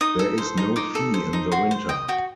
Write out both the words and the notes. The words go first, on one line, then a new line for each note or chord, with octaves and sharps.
There is no fee in the winter.
D#4 D#6
A4
C5
D#4
D#4 D6
A4
C5
D#4
F#4 C6
C5
D#5 G5
F#4 G5